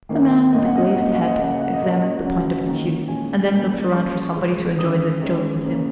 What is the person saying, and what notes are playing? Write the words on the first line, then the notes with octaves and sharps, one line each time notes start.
The man with the glazed hat examined the point of his cue, and then looked around for somebody to enjoy the joke with him.
D#3 A#3 C#4
A#2 A#3 C#4 D#5
F#5
D#5
F#5
A#2 A#3 C#4
D#5
F#5
D#5
C#3 A#3 C#4 F#5
D#5
F#5
D#5
A#2 A#3 C#4 F#5
D#5
C#3 F#3 C#4 F#5
D#3 A#3 C#4
A#2 G#3 C#4 G#5
A#2 A#3 C#4
A#2 G#3 C#4 C#6
C#3 G#3 C#4
D#3 G#3 C#4 D#6
D#3 G#3 C#4
C#3 A#3 C#4